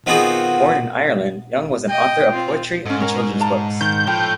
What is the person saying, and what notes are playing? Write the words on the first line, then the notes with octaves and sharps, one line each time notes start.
Born in Ireland, Young was an author of poetry and children's books.
D#3 B3 C4 F4 F#4 G#4
D#5 G5
C4 F4
G#2 C#4 A4
C#4 A#4 G#5
F5 A5 A#5
D#3 G6
A2 F3 G5